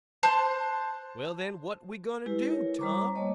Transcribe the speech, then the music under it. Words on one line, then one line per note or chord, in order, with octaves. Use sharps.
"Well, then, what we going to do, Tom?"
C5 A5 C6 F#6
G#3 E4 G4 B4
E4 A#4 C#5
G3 C5 A#5 C#6 D6
G3 A3 A#3 C#5 D#5